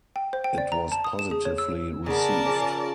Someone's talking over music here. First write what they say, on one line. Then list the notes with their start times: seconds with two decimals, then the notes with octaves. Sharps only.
It was positively received.
0.16 G5
0.33 C5
0.44 G5
0.58 D5
0.72 A#5
0.92 A5
1.04 D#6
1.19 E7
1.31 G#4
1.45 C#5
1.58 E6
2.06 C#3 B3 A#4 D5 A5
2.46 C#3 F3 C#4